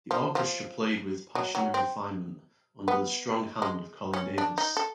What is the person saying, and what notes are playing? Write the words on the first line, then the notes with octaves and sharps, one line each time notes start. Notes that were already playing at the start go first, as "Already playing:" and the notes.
The orchestra played with "passion and refinement" under the "strong hand" of Colin Davis.
F3
F3
F#3
F#3
C4
B3
G#3
C#4
D4
D#4
A4